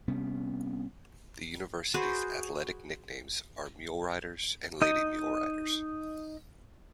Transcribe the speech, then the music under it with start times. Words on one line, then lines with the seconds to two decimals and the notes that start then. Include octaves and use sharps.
The university's athletic nicknames are Muleriders and Lady Muleriders.
0.08 C3 G3 B3 C#4
1.94 F#4 G#4 B4 C5
4.82 D#4 D#5